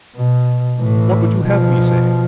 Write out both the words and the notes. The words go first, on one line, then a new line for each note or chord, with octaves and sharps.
What would you have me say?'
B2
A2 E3
B2 F3